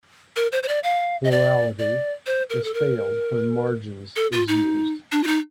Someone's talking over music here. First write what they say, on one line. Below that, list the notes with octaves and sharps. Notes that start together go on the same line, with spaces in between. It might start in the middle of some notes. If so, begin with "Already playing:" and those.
Plurality is failed when "margins" is used.
A#4
C5
C5
D5
F5
D#5
D5
D5
C5
A#4
A4
A#4
A4
F4
D#4
D4
F4
D#4